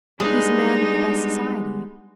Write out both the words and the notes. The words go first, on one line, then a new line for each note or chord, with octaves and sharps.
He's a man of the best society.
G3 G#3 B3 D4 D#4 G#4